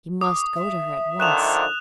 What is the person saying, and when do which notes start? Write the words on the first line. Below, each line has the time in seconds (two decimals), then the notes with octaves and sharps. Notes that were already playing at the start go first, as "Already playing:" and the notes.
He must go to her at once.
0.21 D6 D#6
0.56 E5
1.20 D3 D#3 F3 F#6 E7 F7